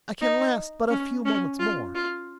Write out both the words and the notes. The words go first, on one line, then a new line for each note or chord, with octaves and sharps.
I can last but a few moments more.
D#4
C#4
C#4
F4
F4